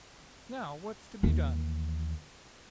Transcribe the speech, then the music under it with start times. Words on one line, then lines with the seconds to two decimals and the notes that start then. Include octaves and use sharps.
"Now, what's to be done?"
1.23 D#2 E3